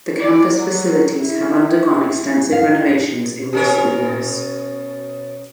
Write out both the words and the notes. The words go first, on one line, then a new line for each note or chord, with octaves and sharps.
The campus facilities have undergone extensive renovations in recent years.
D5
F#3
E4
F5
D#4
B2 C#4 A#4